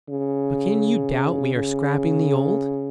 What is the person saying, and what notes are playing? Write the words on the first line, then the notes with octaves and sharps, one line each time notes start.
"But can you doubt we are scrapping the old?..."
C#3
C#3